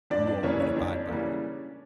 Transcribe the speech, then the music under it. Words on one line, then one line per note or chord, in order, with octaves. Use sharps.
you all would abide by?
F2 D4 D5
D4 D5
C#3 E3 G3 A#3 C#4 C#5
C#4 C#5
F2 D4 D5
C#3 E3 G3 A#3